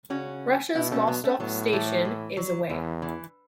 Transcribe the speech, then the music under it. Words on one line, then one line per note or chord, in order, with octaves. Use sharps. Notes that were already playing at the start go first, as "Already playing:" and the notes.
Russia's Vostok Station is away.
C#3 C#4 F#4
B2 B3 E4
A3 C#4
F#3 B3
A3 C#4
A2 F#3 B3
E3 A3
E3
F#3
E2 E3
E3